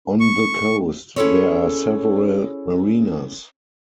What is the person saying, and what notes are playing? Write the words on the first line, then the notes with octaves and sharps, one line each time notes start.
On the coast there are several marinas.
C#6
C#4 E4 G#4 A4 C5 C#5